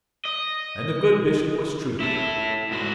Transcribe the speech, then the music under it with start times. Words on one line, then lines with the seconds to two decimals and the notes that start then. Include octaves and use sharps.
And the good Bishop was true to her.
0.25 D#5
2.00 E4 A4
2.71 G#2 F#4